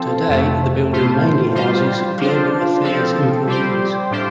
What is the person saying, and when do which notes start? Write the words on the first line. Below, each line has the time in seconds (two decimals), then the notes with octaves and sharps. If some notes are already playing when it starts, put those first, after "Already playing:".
Today the building mainly houses Global Affairs employees.
Already playing: F3 C4 A4 C5
0.28 F2 C3 A3
0.92 A2 A3 F4 C5
1.55 G3 F4 C5
2.19 F3 D4 F4 C5
2.83 F3 C4 A4
3.46 G3 C4 G4 C5
4.11 A2 F3 D4 G4 C5